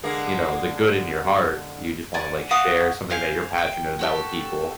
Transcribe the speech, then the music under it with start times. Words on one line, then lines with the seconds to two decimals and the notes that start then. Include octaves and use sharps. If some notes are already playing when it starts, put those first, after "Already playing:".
you know, the good in your heart. You just wanna, like, share something that you're passionate about with people.
0.04 D3 G#3 A#3
2.14 D5 F#5 G#5
2.51 F#4 F5 F#5 D#6
3.10 C5 F5 G#5
3.58 G5
3.99 F#4 G4 A4